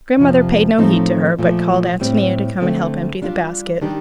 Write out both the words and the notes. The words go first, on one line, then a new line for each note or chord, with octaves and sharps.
Grandmother paid no heed to her, but called Antonia to come and help empty the basket.
F2 C3 F3
A2 F3 A3 C4 D#4
A#2 F3 A3
A2 G3 C4
D3 A3 C4
G3 D4 F4
D#3 G3 D4 G4